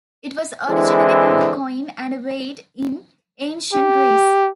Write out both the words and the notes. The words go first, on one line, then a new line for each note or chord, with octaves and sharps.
It was originally both a coin and a weight in ancient Greece.
D3 E3 G#3 C4 E4 G#4
G4